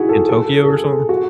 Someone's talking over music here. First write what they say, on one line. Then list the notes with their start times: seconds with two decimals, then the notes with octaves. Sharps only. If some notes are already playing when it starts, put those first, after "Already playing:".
in Tokyo or something?
Already playing: D#4 E4 F#4 G#4
0.09 A4
0.29 A4
0.64 A4
0.70 G#4
1.09 F#4